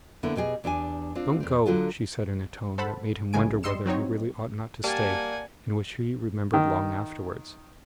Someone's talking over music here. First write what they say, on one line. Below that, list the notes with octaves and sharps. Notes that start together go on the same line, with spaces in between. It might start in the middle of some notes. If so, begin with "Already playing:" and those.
"Don't go!" she said in a tone that made him wonder whether he really ought not to stay and which he remembered long afterwards.
D3 A#3 B3 E4
B2 G4 G#4 D#5
E2 D4 G4 E5 G#5
C4 D4 F4
E2 C4
D3 F#3 F4 A4
A4 C5 F#5 A5 B5
B1 A2 C#3 G#3 G#5 D7
G3 D#5 C6 E6 C#7 E7
F#3 C4 D#4 C#5
G3 A#3 F#5 G#5 A5
D#3